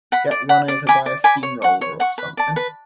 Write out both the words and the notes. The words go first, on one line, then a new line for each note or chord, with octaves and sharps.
Get run over by a steam-roller or something?
F#5 B5
D5
F#5 B5
D5
G#5 B5 D6
D5
G#5 B5 D6
C#5
F#5 C#6
C#5
F#5 C#6
B4
D5 A5
B4